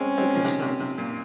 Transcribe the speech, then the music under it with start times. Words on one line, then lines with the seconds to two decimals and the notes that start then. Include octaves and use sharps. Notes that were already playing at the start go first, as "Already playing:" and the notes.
Look yourself.
Already playing: G#3 C4 C#4
0.18 G#3 C4
0.34 F3
0.44 C3 D#3
0.62 C3
0.80 C3
0.98 A#2